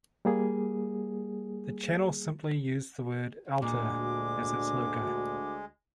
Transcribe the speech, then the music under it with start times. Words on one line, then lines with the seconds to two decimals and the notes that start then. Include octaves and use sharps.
The channel simply used the word 'Alter' as its logo.
0.25 G3 A#3 G#4
3.62 D2 A#2 G#3 D4 F#4 D6